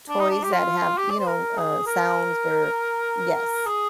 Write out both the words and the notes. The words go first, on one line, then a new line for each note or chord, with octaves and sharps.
toys that have, you know, uh, sounds or Yes,
D4
D#4
D4
G4
F4
G4
D5
C5
A#4
G#4
A#4
G#4